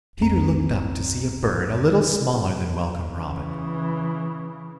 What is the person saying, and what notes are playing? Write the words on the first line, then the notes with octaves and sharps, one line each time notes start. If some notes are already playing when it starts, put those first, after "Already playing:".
Peter looked up to see a bird a little smaller than Welcome Robin.
B1 F2 C4 A#5
C#3 E3